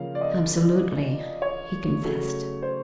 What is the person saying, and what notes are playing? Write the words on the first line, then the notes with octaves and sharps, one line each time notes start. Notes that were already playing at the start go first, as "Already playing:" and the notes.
"Absolutely," he confessed.
Already playing: C#3 F3 A#3 C#4 F5
D5
D#5
C#5
C#3 F#3 A3
C5